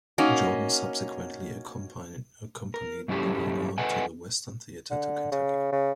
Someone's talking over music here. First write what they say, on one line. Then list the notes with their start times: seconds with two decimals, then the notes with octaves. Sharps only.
Jordan subsequently accompanied Beauregard to the Western Theater to Kentucky.
0.18 A#3 C#4 D#4 F#4
2.74 A#4
3.08 G2 F#3 C#4 E4 G4 A4
3.78 A4 B4 D#5 F#5 G#5
4.91 D3
5.31 C#3
5.72 C#3